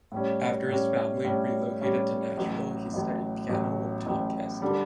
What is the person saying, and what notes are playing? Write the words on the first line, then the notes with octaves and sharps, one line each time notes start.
After his family relocated to Nashville he studied piano with Tom Koester.
A2 G3 C#4
A2 G3 C#4
A2 G3 C#4
A2 G3 C#4
A1 A2 F#3
A1 A2 F#3
A1 A2 F#3
A1 A2 F#3
D3 G3